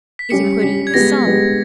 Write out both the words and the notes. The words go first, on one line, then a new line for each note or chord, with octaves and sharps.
"Is included in this sum."
B6
G3 C#4 G4 C#7
G3 C#4 G4 B6
G#6
G#3 B3 G4 A#6
G#3 B3 G4